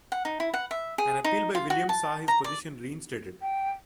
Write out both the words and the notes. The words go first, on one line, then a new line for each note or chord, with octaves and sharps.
An appeal by Williams saw his position reinstated.
F#5
D#4
E4
F#5
E5
G#4
D#4
F4
F#4
A5
A#5
D5
G5